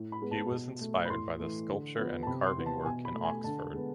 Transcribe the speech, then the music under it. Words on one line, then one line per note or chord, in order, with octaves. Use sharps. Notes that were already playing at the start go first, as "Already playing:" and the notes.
He was inspired by the sculpture and carving work in Oxford.
Already playing: A2
B5
G#3 B3
A5
B2
A3
B5
A2 C6
E3 A3
D3
F3 B3
A5
C3 B5
C6
E3 B3
A5
B2 G#5
B5
A3
G#5
D3 A5
G#3 B3